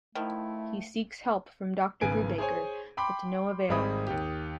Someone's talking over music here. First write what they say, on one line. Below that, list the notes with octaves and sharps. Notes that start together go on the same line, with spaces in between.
He seeks help from Doctor Brubaker, but to no avail.
D#3 F3 A3 E4
G#1 C#3 B3 G#5 D7
G#4 C5 C#5 G#5
G5 B5 C6 D6
G#1 G3 G#3 C4 B5 D#6
D#2 G4